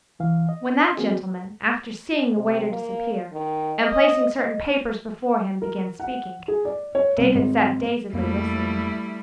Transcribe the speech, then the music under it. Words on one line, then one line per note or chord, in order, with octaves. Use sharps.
When that gentleman, after seeing the waiter disappear, and placing certain papers before him, began speaking, David sat dazedly listening.
C2 E3 F5
D#5
A#3 C4 F#4 G#4
C3
A#3
D#3
D#5
D#5
A#4
F#5
G#4
D5
C#5
C2
G#1
F2 G3 A3 A#3 E4